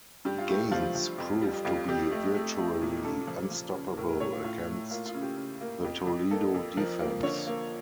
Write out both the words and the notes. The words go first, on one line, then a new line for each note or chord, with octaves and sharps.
Gaines proved to be virtually unstoppable against the Toledo defense.
G2 G4
F4
A3 G4
F3 F4
F3
F2
G3
F2 F4
F2 G4
A3
A3
A3
A#2
C#3 A4
F3
F3
C#3
A2 A#4
A#4
A2 C#5
F4
A2 F4
A3
A#3 F4
F4
C#3
G4
C#3
A#3
F2
F2
A#3 A4
F2
F3 A#4
A#3
D3 C#5
A#3